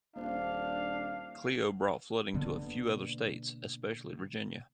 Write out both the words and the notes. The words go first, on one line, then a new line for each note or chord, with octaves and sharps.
Cleo brought flooding to a few other states, especially Virginia.
D#1 A#3 D4 C5 F5
B2 D3 A#3 B3